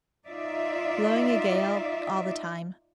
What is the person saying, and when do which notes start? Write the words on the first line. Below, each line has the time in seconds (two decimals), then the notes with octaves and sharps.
Blowing a gale all the time.
0.26 D#4 F4 D5 E5